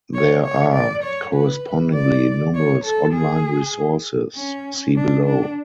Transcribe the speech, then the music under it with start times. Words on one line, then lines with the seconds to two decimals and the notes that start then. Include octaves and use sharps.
There are, correspondingly, numerous online resources; see below.
0.14 C#5
0.44 C#5
0.75 D5
1.04 C#5
1.35 B4
1.94 D5
2.55 C#5
2.85 A4
3.15 G#4
4.36 C#4
4.96 D4
5.25 D4